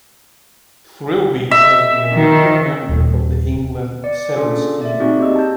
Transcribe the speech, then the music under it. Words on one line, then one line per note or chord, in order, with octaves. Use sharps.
Thirlby has been a regular member of the England Sevens team.
E5
D#3
D#1
D5 C#7
C#4 D4 F4 G#4 A4 D5
D5 E5
C4 D#4 F#4 G#4
A#3 G4 D#5 E6
A5 G6